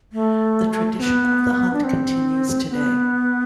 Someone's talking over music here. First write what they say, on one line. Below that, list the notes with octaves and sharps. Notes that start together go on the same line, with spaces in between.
The tradition of the hunt continues today.
A3
C4
B3
D4
C4
B3